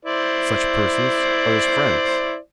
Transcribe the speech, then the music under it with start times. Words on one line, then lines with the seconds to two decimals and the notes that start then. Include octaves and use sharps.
Such persons are his friends.
0.05 E4 C5 D5